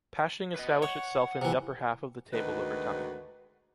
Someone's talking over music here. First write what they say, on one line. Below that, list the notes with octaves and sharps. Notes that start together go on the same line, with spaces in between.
Pasching established itself in the upper half of the table over time.
B4 C#5 D#5
C#5 F#5
C3 E3
D2 G#2 D#3 F#4 B4